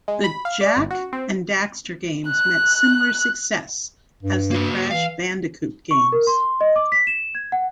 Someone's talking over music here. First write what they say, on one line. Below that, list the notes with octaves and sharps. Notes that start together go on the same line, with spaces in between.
The "Jak and Daxter" games met similar success as the "Crash Bandicoot" games.
G#3
B5
F5
D5
G1
F#4
C4
F#6
G2
A#3 F#4
E3 F5
C#6
A#4
C6
D#5
D6
B6
E7
G#6
F#5